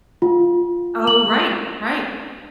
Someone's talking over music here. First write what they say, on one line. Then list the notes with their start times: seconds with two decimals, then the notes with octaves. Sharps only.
Oh, right. Right.
0.22 F4
1.07 F#7